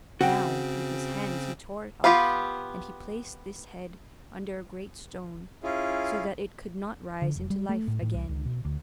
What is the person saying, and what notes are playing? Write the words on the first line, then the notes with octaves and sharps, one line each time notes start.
Now, with his hands he tore it off, and he placed this head under a great stone so that it could not rise into life again.
C#3 C4 F#4 G5
B3 F4 G4 B4 F5
C#4 E4 F4 G#4
D3
F1
G3
A3
A2
A2
C2
C#2
B2
D2